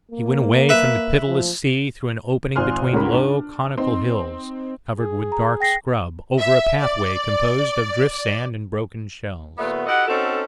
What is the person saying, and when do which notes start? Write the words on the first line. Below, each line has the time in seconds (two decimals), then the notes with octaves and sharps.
He went away from the pitiless sea through an opening between low conical hills, covered with dark scrub, over a pathway composed of drift sand and broken shells.
0.11 A#3
0.69 B4 E5
1.27 F3
2.55 G#1 F4 G#5 C6 F6 F#6
2.92 C#2 G#2 C#4 A#4 B5
3.14 D4
3.78 C4 D#4 C6
4.96 G#4
5.32 A#5
5.60 G5 A#6 C7
6.39 E5
6.80 D5
9.58 D#2 A#2 A3 B3
9.87 E4 F#4 G4 A4 D#5 F#5
10.08 C4 C#4 D#4 F#4 A4